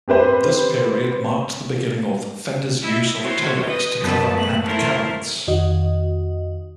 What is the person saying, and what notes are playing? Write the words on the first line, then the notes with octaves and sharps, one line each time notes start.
This period marked the beginning of Fender's use of Tolex to cover amp cabinets.
C4 G4 B4 C5
E4 D#5 E5
C4 E4 F#4 C5 C#5
B4 D#5
F#2 B3 B4 A5
A3 F#6
A3 C4 E4 A#4 C5 A5
F2 D#3 F#4 D#5